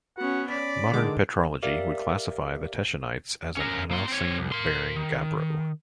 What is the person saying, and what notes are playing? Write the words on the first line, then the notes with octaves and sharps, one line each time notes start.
Modern petrology would classify the teschenites as an analcime bearing gabbro.
B3 C#4 F#4 F#5
C#4 D5 B5
D3 D#3 G#3 D6
G4 A#4 D5 E5 F5
C#4 A#4
A#3 C6
C4 C#5
C2
A#4 C6
D#3